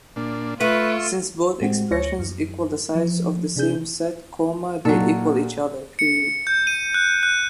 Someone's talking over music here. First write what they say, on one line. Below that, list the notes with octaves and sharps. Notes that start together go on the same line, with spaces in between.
Since both expressions equal the size of the same set, they equal each other.
A#2 D4
A3 F4 B4 E5 C#6
A2 G#3 C4 F#4 G4
D2 C#5 A#6 C#7
F#2
F3
C3 D4 G#4 G6
A#2 F#3 D#4 A4
C#7
G6
D#7
F#6
F#6